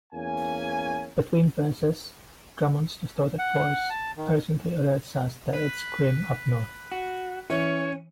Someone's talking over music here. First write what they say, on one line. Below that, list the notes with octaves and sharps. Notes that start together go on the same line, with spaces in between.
Between verses, Drummond's distorted voice urgently alerts us that "It's grim up north".
E2 A#3 C#4 G#5
F#5
A5
D#3
B4
F#4
E3 C#4 C#5